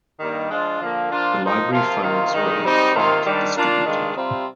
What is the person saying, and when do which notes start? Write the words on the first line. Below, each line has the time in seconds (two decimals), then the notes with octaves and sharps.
The library funds were in part distributed.
0.19 G2 D#3 G3 A#3 D#4
0.50 F3 G#3 D4 F4
0.81 D3 F3 A#3
1.11 F3 A#3 D4 F4
1.41 F3 A#3 D#4
1.72 C3 F3 A#3 F4
2.02 C3 D#3 A#3 F4
2.33 G2 D#3 G#3 D#4
2.63 G#2 G3 C4 D#4
2.94 C3 D#3 A#3 F4
3.24 G#2 D#3 G3 D4
3.55 D#3 A#3 D4 F4
3.85 G2 D#3 G#3 D4 F4
4.15 C3 G3 C4 F4